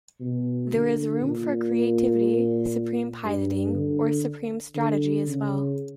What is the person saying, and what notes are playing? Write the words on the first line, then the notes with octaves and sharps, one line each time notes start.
There was room for creativity, supreme piloting, or supreme strategy as well.
B2
D3
A#2
G2
D3
D3
C#3